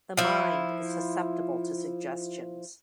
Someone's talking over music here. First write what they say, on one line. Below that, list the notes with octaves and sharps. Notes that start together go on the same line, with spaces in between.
The mind is susceptible to suggestions.
F3 E4